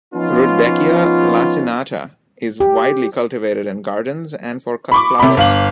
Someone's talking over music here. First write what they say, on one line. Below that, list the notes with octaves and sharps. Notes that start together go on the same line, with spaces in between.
"Rudbeckia laciniata" is widely cultivated in gardens and for cut flowers.
F3 B3 C#4 D#4 F4
G4
B5 C#6 D6
C3 B5
G1 F5 F#7